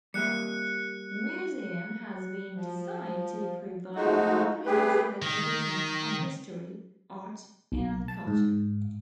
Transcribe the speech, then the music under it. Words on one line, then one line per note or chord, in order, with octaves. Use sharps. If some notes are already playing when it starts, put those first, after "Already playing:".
The Museum has been designed to provide comprehensive exhibitions on history, art and culture.
G3 A#3 E5 F#6 C#7
F3
F3 G#3 A3 D#4 F#4
G3 A3 G4 G#4 B4
D#3
B1
A5
G#2